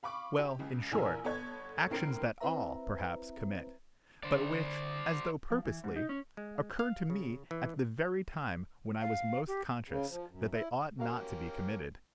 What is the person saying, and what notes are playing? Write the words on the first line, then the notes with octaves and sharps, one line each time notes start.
Well, in short, actions that all, perhaps, commit; but which, as though purposely, occurred to me at the very time when I was most conscious that they ought not to be committed.
F5 B5 C#6 D6
G4
C#2 C#3
A#1 E3 A#3 A#4 G#5 E6
G1 B3 A4 C#5 G#6
A2 D3 C4 A#4 C7 D7
C4 E4 B4 C5 E5 A#5
D3 C5 D5
F3
E3
G#2
D#4
C#4
G#3
F5
C#3
E3
F5
G4
C#3
F3
F#2
E4
A#3 C#4 F#4 G4 A#4 F5